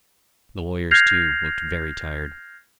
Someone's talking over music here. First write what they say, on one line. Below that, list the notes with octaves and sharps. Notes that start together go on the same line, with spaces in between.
The lawyers, too, looked very tired.
F6 G6 G#6 A#6 C7 F7